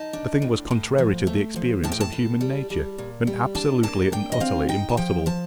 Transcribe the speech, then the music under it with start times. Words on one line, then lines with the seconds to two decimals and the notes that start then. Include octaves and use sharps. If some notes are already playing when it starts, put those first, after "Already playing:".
The thing was contrary to the experience of human nature, and absolutely and utterly impossible.
Already playing: D#4 A5
0.13 D4
0.42 A2
0.71 A2
0.98 F3
1.27 A3
1.56 F3
1.84 A2 A5
1.92 G5
2.01 A5
2.12 A2
2.41 G3
2.70 G3
2.98 A#2
3.27 G3
3.55 D4 A5
3.83 A#3 A5
4.12 D4 G5
4.32 D#5
4.40 C4 F5
4.69 D#4 G5
4.89 A5
4.97 F3 G5
5.26 F3 A5